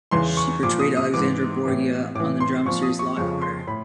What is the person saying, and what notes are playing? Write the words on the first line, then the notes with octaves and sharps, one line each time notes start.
She portrayed Alexandra Borgia on the drama series "Law and Order".
E2 C#3 E3 C6
C#6
A#2 F3 D6
D#6
D#6
G#2 E3 D6
A2 E3
A2 E3 D6
C6
A#2 F3 C#6
D#6
C#6
F2 C#3 F3 C#6
C6
A2 B5